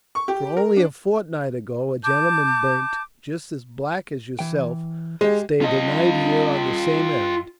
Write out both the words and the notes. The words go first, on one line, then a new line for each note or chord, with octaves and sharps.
For only a fortnight ago a gentleman burnt just as black as yourself stayed a night here on the same errand.
C#6
G4
A#4
D4
A5 D6 G6
E3 G5
G#3 G4 G#4
F4 D#5